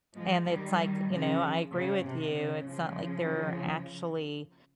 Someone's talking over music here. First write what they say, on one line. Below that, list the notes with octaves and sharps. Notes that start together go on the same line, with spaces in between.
And it's like, you know, I agree with you. It's not like they're actually
F3 G#3
D#3 G3
C#3 F3
C#3
C3
C#3
C#3 F3